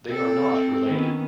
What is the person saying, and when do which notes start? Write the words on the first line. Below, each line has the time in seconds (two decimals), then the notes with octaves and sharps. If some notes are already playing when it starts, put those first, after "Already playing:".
They are not related.
0.11 C4 A4
0.85 D#3 B3 C#4